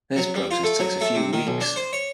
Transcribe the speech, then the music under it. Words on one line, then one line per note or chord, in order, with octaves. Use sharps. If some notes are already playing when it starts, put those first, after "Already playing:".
This process takes a few weeks.
F#3
G3
F4
A3
F#3
A3
C3
D#3
B1
D4
C5
C#5